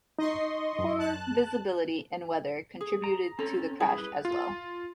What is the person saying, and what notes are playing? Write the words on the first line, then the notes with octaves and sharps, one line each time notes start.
Poor visibility and weather contributed to the crash as well.
D#4 D#5 C6 C#6
F#2
A5 F#6
G#4
A#5
C4 C#4 A4 A#5
G3 E4 G#4
B4
F4